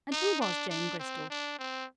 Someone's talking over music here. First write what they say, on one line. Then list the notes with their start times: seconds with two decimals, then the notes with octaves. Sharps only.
And who was Jane Bristol?
0.12 D#4
0.41 D4
0.70 D4
0.99 C4
1.30 D4
1.59 C4